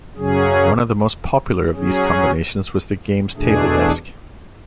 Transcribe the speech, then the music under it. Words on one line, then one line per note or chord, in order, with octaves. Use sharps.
One of the most popular of these combinations was the games table desk.
F#2 C#3 F#3 C#4 G#4
F#3 C#4 G#4
E2 B2 A3 D4 G#4